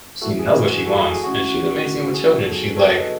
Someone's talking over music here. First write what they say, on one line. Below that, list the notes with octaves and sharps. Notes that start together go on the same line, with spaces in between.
She knows what she wants, and she's amazing with children; she's like,
E3 A3 E4 F#4 A4
G#4
F#4
G#4
F#4 A4
G#4
G#4
D#3 A3 C#4 E4 F#4
G#4
C#3 F#3 B3 D#4 F#4
A4
G#4
A4 C#5
B4 D#5